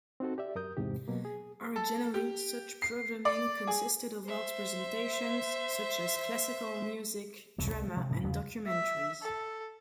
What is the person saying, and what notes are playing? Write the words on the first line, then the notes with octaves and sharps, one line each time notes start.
Originally, such programming consisted of arts presentations such as classical music, drama, and documentaries.
C4 D#4 F#4 A4
G4 D5 E5
F#2 A#4 D#6 G6
E2 G#2 C3 G4
B2 F#3 A#3
G#4
A4
G4
C7
D5
G#4
C5 E5
E1 C2 B2 F#3
C2
F3 G#3
C3 F3 F#3 G#3
G#2 C3 D#3 E3
E2 C#3 F3 G#3
E5
A4